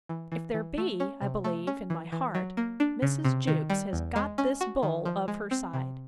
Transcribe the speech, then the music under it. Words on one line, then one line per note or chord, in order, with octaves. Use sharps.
If there be, I believe, in my heart, Mrs. Jewkes has got this bull of her side.
E3
E3
E3
A3
C#4
C3
A3
C#4
E3
E3
F#3
A#3
D4
C#3
C3
D#3
G3
E2
G#3
C#4
F#4
D#3
F3
G#3
C4
C3